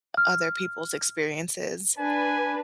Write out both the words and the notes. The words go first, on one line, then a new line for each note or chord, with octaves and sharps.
other people's experiences.
F6
D4 B4 G#5